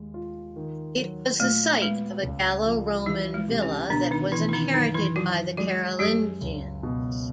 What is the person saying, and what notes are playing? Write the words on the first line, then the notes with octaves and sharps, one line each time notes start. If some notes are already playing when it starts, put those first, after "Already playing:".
It was the site of a Gallo-Roman villa that was inherited by the Carolingians.
Already playing: D#2 G#3
F4
D#3
F#3
A#2 A3
G#3 B3
C#2
F3
E3 G3
G#3
C3
C#4
B2 D3 D4
D#3 D#4
B2 E3 E4
E4
D#3 D#4
F#2 D#3 D#4
E3 E4
F3 F#3 F#4
F#3 G#3 F#4
F#2 G3 G4
C#2
B2